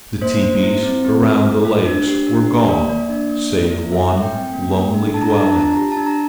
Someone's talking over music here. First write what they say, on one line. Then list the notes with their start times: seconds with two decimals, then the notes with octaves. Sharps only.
The teepees around the lakes were gone, save one lonely dwelling.
0.21 A#3 C5
0.43 A#3
0.63 E4
0.83 C4
1.05 C4
1.24 F4
1.45 A3
1.65 A3
1.86 D4
2.07 G4
2.27 D4
2.47 G4
2.68 A#3 D5
2.89 A#3
3.09 D4
3.30 A#3
3.51 A#3
3.71 E4
3.92 A4 E5
4.12 A3
4.23 G5
4.33 C4
4.53 A#3
4.74 A#3
4.94 D4
5.14 D4 A5
5.22 A#5
5.29 A5
5.35 D4 A#5
5.45 A5
5.52 A#5
5.56 F4 A5
5.76 G4 A#5
5.92 A5
5.97 D4
6.07 A#5